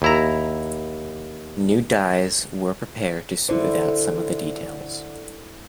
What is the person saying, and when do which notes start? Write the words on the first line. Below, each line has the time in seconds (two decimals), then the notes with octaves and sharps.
New dyes were prepared to smooth out some of the details.
0.02 D#2 E4 A#5
3.49 D3 E4 C5